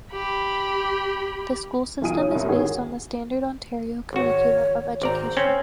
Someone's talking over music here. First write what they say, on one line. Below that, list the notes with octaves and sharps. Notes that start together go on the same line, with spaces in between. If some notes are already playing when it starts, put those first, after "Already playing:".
The school system is based on the standard Ontario curriculum of education.
G4 B5
B1 E3 F4 G#5 D#6 D#7
C#4 F4
C2 G2
G#2 D#3 C#4 F#4 G#4
G#1 F#4 C#5
G#1 C5 D5 A#5
C4 C#4